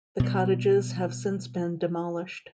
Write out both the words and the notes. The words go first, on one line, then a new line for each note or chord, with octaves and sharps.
The cottages have since been demolished.
B2 G3